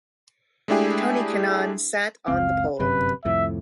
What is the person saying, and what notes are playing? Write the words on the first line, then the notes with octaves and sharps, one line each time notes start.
Tony Kanaan sat on the pole.
G#3 A3 D4 E4 G4 G#4
F#1 C#2 C4 F5
G1 F#2 C3 B4
C2 F2 A2 E5